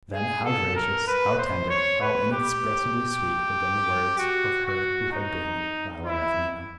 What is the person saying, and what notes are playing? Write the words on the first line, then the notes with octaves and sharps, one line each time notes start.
Then how gracious, how tender, how inexpressibly sweet had been the words of her who had been Violet Effingham!
G#4
A4
A#4
B4
C5
C#5
B4
G4
F#4
F#4
D#4
E4